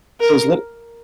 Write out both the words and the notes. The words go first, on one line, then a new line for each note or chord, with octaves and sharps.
So, it was lit
A#4